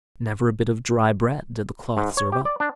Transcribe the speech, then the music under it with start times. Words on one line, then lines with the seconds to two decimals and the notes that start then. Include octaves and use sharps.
But never a bit of dry bread did the cloth serve up.
1.97 G#2
2.17 C#5
2.32 G4
2.45 D5
2.60 D4